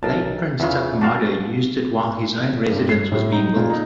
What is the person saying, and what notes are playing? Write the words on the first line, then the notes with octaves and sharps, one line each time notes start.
Late prince Takamado used it while his own residence was being built.
B1 A#4 A5
E2 C#3 F4 E5
D4 F#4 F5 A5
G2
C7
A2
D#4
A#2
D#4